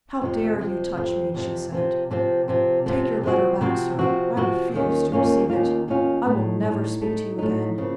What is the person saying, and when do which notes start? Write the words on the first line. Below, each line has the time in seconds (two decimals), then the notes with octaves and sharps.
How dare you touch me!" she said. "Take your letter back, sir; I refuse to receive it; I will never speak to you again.
0.21 F2 C3 F3
0.59 F2 C3 F3
0.97 F2 C3 F3
1.35 F2 C3 F3
1.72 C3 F3 C4
2.11 C3 F3 C4
2.48 C3 F3 C4
2.86 C3 F3 C4
3.23 C3 F3 C4 F#4
3.61 C3 F3 C4 F#4
3.99 C3 F3 C4 F#4
4.37 C3 F3 C4 F#4
4.74 D#2 D#3 A#3 C#4 F4
5.12 D#2 D#3 A#3 C#4 F4
5.50 D#2 D#3 A#3 C#4 F4
5.88 D#2 D#3 A#3 C#4 F4
6.26 A2 A3 D#4
6.63 A2 A3 D#4
7.01 A2 A3 D#4
7.38 A2 A3 D#4
7.78 C#3 F3 A#3